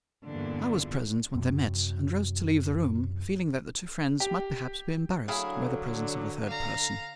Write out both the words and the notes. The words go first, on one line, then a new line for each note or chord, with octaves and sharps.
I was present when they met, and rose to leave the room, feeling that the two friends might perhaps be embarrassed by the presence of a third person.
E2 G2 A#2 D3
F#2 C3 F#3
G4
D3 F#3 E4 G#4 F5
F5 A#5